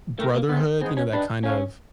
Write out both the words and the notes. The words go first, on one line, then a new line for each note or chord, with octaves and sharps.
brotherhood, you know, that kind of
A3 E4 G4 A#4
A#3
A3 B3 C4 D#4 G#4 C5
G#3 B3 C4 D#4 G#4
C#4
D4 D#4 G4 B4
C#4 E4 A4 C#5 F5